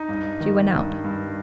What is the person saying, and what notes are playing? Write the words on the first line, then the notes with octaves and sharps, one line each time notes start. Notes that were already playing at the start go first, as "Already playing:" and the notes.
She went out.
Already playing: D#4
G2
D#3
G2
G2